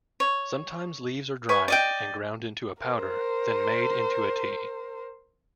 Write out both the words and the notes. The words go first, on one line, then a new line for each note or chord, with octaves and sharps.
Sometimes leaves are dried and ground into a powder, then made into a tea.
C#5
B4 G#5 C#6
D5 D#5 G5
A#4 C5